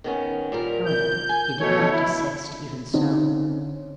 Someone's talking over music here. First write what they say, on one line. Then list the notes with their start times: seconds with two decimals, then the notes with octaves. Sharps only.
However, he did not desist even so.
0.04 D#3 B3 C#4
0.52 A#2 G3 A#4
0.86 G6
1.29 G#5
1.60 B2 A3 C#5
1.91 E4
2.94 D3 C4 C#4 D#4